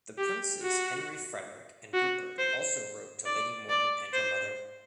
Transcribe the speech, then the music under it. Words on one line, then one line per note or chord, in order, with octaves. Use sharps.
The princes Henry Frederick and Rupert also wrote to Lady Morton and her mother.
G4
F#4
F#4
C5
D5
D5
C5